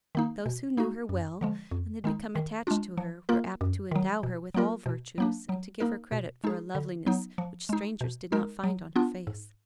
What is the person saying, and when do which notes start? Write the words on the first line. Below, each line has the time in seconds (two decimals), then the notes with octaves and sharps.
Those who knew her well, and had become attached to her, were apt to endow her with all virtues, and to give her credit for a loveliness which strangers did not find on her face.
0.15 D#3 A#3 D#4
0.46 B2
0.77 A#3 D#4 F#4
1.09 F#2
1.41 D3 F3 G#3
1.71 F2
2.04 D#3 G#3 D#4
2.36 D#3
2.67 G#3 D4 F4
2.98 F3
3.29 A#3 F4 A#4
3.61 F#2
3.91 D#3 F#3
4.23 B2
4.54 F#3 A#3 F4 A#4
4.86 B2
5.18 F#3 A#3 D4
5.49 F#3
5.80 A#3 D#4 A#4
6.12 B2
6.44 G#3 D#4 G#4
6.75 D3
7.06 F#3 B3 D#4
7.38 F3
7.69 G#3 D#4
8.01 B2
8.32 G#3 D#4 A#4
8.64 F#3
8.96 B3 D4 F4
9.27 G#2